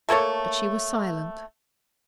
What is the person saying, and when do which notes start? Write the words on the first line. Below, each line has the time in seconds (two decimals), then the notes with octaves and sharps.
But she was silent.
0.09 A3 A#3 A4 C#5